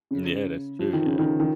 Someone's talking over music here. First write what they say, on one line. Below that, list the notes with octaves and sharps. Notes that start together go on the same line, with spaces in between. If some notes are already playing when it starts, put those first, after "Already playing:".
Yeah, that's true, yep.
C#3
F3
D#3
C#3
D#3
D#3